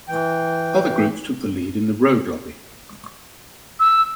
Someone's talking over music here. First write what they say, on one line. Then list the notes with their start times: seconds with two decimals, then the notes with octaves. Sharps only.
Other groups took the lead in the road lobby.
0.08 E3 G5
3.80 E6